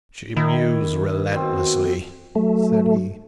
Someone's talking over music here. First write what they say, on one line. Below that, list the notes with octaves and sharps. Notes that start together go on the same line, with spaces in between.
"She mews relentlessly," said he.
D#3 E4
B2 C4
F#3 A3